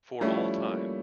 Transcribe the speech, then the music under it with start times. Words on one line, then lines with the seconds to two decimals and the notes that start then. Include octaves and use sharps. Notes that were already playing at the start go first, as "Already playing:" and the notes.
For All Time.
0.21 F3 G3 A3 C#4 E4
0.68 A#3